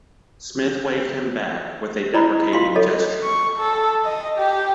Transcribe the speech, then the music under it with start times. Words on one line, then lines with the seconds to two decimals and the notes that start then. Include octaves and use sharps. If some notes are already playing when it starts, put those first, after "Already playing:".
Smith waved him back with a deprecating gesture.
2.14 E4 D5 D#5 A#5 B5
2.53 F4 F5 C6
2.76 G#4 A4 C#5 D#5
3.23 C#6
3.58 A4
4.05 D#5
4.37 G4